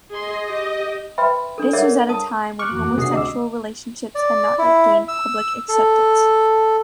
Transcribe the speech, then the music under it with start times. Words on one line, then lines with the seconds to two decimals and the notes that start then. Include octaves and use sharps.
This was at a time when homosexual relationships had not yet gained public acceptance.
0.11 G#4 D#5 C6
0.49 G4
1.18 B4 E5 G5 B5 C6
1.58 D4 A4
1.73 G#4 A#4 C#5 D5 E5 F#5
2.09 A5 D#6
2.59 C#6 D6 F6 F#6
2.71 F2 E3 F#4
2.84 E2 G2 A#3
2.98 C3 D4 F#4 G#4 D#6 C7
3.14 D2 D#5 D6 E6
4.15 D5
4.58 E4
5.08 E6
5.69 A4